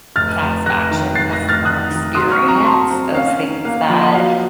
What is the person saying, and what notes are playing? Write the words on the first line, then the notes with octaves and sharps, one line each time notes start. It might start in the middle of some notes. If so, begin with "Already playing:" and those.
satisfaction, customer experience, those things that,
F1 F6 A6
F1
F1 F#6 A#6
D#3
F1 A6 C7
F#6 A#6
F1
F6 A6
D#3 D#6 F#6
D#3
F#3 C6 D#6
C#6 F6
C4
A#5 C#6
F#3 A5 C6
C4
C#4 F5
C#4
A#3 F5
F3
D#5
F#3 F5